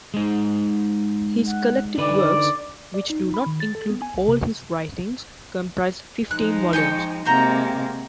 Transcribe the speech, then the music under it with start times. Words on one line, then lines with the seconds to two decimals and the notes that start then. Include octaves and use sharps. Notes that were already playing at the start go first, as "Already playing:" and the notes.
His "Collected Works", which do not include all his writings, comprise fifteen volumes.
0.14 G#3 D#4
1.47 F#5
1.98 D3 D#4 B4 D5
2.94 D5
3.10 D#4
3.34 B5
3.46 D#3
3.60 A6
3.75 A4
3.90 B3
4.02 G#5
4.14 B1
4.28 C3
6.31 F3 G#3 D#4 F#6
6.73 G5 G#5 C#6
7.25 C3 G#3 A#3 F#4 G5 A#5